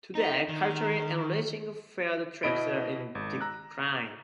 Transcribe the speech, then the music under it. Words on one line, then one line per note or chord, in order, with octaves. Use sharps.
Today, culturally enriching field trips are in decline.
D#4
D#3
B2 E4 D#5 B5 D7
G#1
A#5 E6 F#6